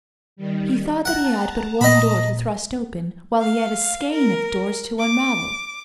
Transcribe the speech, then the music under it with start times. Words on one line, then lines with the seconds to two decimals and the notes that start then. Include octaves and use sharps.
He thought that he had but one door to thrust open, while he had a skein of doors to unravel.
0.36 D#3 G3
1.05 F#5 A5 A#5
1.81 A#2 D#5 B5
3.39 F5
4.12 A#4
4.97 D6